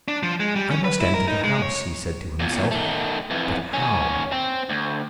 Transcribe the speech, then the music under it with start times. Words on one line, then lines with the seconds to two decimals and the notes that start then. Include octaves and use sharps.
"I must enter the house," he said to himself; "but how?"
0.08 D4
0.23 F3
0.40 G#3
0.56 G3
0.71 C#4
0.85 B4
1.01 E4
1.14 A#4
1.28 D#4
1.44 G#3
1.62 C#5
2.40 E2 A#2
2.71 D#3 A3
3.30 F2 E3
3.73 D#2 C#4
4.32 C4
4.69 D2